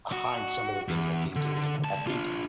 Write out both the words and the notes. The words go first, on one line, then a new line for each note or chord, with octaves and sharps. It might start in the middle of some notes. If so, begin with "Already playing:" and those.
behind some of the things that they do, and I I think
F#4
E2
D3
C#2 A5
D4 F4